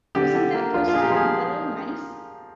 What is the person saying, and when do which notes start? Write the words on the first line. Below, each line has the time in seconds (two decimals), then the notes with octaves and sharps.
Wasn’t that first young fellow nice?
0.15 D3 G4
0.35 D3
0.54 A#3
0.74 F3 F4
0.88 F4
0.93 A#2 G#4
1.02 G4
1.12 F3 G#4